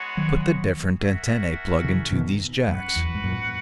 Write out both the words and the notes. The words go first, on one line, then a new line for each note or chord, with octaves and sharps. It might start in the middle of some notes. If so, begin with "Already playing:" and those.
Put the different antennae plug into these jacks.
Already playing: G#3 B3 F#4 C#5
D#3 F#3
C#4 F#4 A#4 E5
C#3 E3
B2 D#3
F#2 F#4 B4 F#5
E2
G#2
F#2 A#2